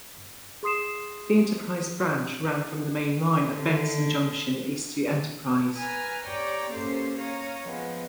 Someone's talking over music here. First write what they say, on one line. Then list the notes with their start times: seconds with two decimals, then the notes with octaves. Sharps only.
The Enterprise Branch ran from the main line at Benson Junction east to Enterprise.
0.63 G#4 C6 D#6 C7 E7
3.50 D3
5.76 B4 G#5 A#5 F6
6.25 G4 C#5 D5 G5 A#5 D6
6.71 A#3 C#4 G4 A4 C5
7.19 C#5 F5 A#5 D#6
7.64 F3 G#3 B3